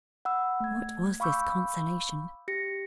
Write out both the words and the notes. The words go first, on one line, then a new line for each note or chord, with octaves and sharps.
What was this consolation?
F#5 B5 E6
A3 G#6
F5 B5 C#6 D6 E6 G6
G4 A#6 C#7